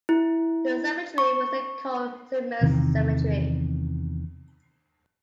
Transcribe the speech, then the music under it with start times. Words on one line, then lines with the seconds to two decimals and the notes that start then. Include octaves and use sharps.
The cemetery was then called Saint Mary's Cemetery.
0.09 E4
1.18 C#6
2.61 E2 C3 D#3 E3